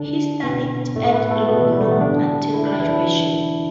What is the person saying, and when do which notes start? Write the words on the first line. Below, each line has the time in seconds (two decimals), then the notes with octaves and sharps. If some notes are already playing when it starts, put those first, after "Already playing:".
He studied at Lucknow until graduation.
Already playing: D3 D4
0.43 B2 B3
0.96 A2 A3
1.13 B3 B4
1.31 A3 A4
1.48 B2 B3
1.61 E3
1.71 G3
1.81 A3
1.91 B3
2.01 D3 D4
2.54 E4
2.67 D4
2.80 E3 E4